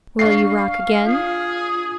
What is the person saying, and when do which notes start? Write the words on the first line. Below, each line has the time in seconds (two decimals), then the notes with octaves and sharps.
"Will you rock again?"
0.19 D4 F5 C#6 C7
1.06 F4 G#4